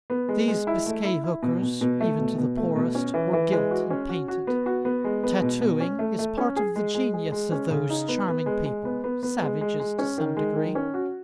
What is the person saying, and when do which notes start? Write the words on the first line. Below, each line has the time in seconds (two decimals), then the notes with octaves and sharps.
These Biscay hookers, even to the poorest, were gilt and painted. Tattooing is part of the genius of those charming people, savages to some degree.
0.10 B3
0.29 G#3
0.48 G#3
0.67 E4
0.86 A3
1.05 E4
1.24 E4
1.43 B2
1.62 B2
1.81 B2
2.01 A3
2.19 B2
2.38 B2
2.57 A3
2.76 B2
2.95 C#4
3.14 E3
3.33 E3
3.52 G#3
3.71 F#4
3.90 C#4
4.09 F#4
4.28 F#4
4.47 B3
4.66 F#4
4.85 B3
5.04 G#3
5.23 B3
5.42 B2
5.62 B2
5.80 C#4
5.99 A3
6.19 A3
6.38 C#4
6.56 G#4
6.76 G#3
6.94 G#3
7.14 G#4
7.32 G#3
7.52 C#4
7.71 C#3
7.90 D#4
8.08 B3
8.28 B3
8.46 G#3
8.66 G#3
8.85 B3
9.04 B3
9.23 B3
9.42 G#3
9.61 G#3
9.80 G#3
9.99 C#4
10.18 D#3
10.37 G#3
10.56 D#3
10.75 C#4
10.94 F#4